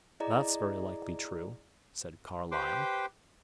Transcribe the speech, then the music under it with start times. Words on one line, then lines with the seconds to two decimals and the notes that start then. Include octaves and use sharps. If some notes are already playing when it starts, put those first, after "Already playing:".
"That's very likely true," said Carlyle.
0.20 E4 G#4 D5 D#5 A#5
2.52 G4 B4 C5 G5 C6 D6